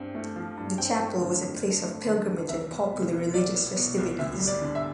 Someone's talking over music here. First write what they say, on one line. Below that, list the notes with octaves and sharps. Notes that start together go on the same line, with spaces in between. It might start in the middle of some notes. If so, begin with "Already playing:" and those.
The chapel was a place of pilgrimage and popular religious festivities.
Already playing: G2 C4
A3
F3
G2
C4 G5
A3
D3
F2
C4
A3
D3
F2
C2 E5
B3
B2
C2
C2 D5
B3
B2
C2
D2 E5
G3
D5
D3
E5